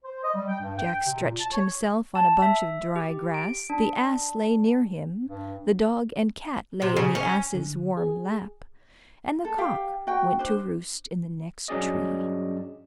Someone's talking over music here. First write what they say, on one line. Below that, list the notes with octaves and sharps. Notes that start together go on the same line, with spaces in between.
Jack stretched himself on a bunch of dry grass, the ass lay near him, the dog and cat lay in the ass's warm lap, and the cock went to roost in the next tree.
C5
D#5
G3
G5
G2
G5
C3
A#2
A5
C#5
A5
E5
G4
D7
D4
G2
C3
C#3
C#4
D3
G#4
A4
G4 F5 G5
F#4 G5
D4 C5
G2 F#3 C#4 G#4 D5 D#5